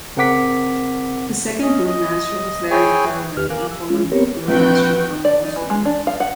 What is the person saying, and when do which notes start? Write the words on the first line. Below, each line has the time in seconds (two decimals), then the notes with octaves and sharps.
The second brewmaster was Larry Kerwin, a former brewmaster for Molson.
0.17 C#3 C4 A#4 F#5 D6 B6
1.62 C#4 D#5
1.87 D#5
2.71 E4 G#4 C#5 G5 G#5
3.37 E2 D#3 G4 B4 F6
3.50 A#4 F5 G#5 D6 F#6
3.71 E6
3.90 G#3 C#4 F4
4.12 B3 C4 G4 A#4 C#5
4.48 A#1 C4 F#4 B4 G5
5.25 D5
5.44 D#4
5.56 E3
5.70 G#3
5.85 D4
6.07 F5
6.20 F#5